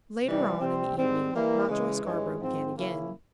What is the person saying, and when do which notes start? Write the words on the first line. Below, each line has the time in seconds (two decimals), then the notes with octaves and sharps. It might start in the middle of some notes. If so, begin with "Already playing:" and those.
Later on in the evening Mountjoy Scarborough began again.
0.24 C3 E3 G3
0.59 C3 G3 C4
0.96 G#2 G3 C4
1.32 E3 G3 A#3 E4
1.68 C#3 E3 G#3
2.03 G2 E3 G#3 C#4
2.39 G#2 F3 C4
2.75 C#3 E3 A#3 C#4 E4